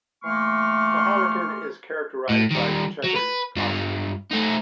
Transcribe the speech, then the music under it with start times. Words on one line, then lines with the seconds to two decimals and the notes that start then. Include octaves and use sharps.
The Harlequin is characterized by his chequered costume.
0.23 E3 A3 A#3 C6 C#6 F6
2.30 A2
2.51 D#3 G3
3.05 F#3
3.16 B4
3.56 G2 F4
4.31 A3 D#4